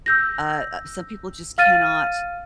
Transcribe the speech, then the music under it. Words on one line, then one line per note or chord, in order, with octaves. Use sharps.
uh, some people just cannot
E6 G6 A#6
F5 F6 A6 D#7